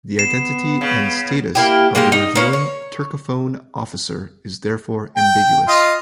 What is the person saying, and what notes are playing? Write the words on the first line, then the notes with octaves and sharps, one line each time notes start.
The identity and status of the reviewing, turcophone officer is therefore ambiguous.
B3 C7 E7
C#3
A#3 E4 G4
G#3 A#3 D#4 G4
D#4
A#3 C#4 B4
C#5
G5
F4 D#5